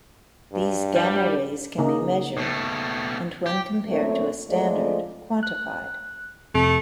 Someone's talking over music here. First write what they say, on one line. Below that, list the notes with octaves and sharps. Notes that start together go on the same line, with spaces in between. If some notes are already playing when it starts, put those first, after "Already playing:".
These gamma rays can be measured, and when compared to a standard, quantified.
G2
G3
C#3 A#3 D#4
B2 A3
G4
F#2 A#2 A3 C4 C#5
F2 F3 G#3 A3 D5
F#6
F2 C3 A3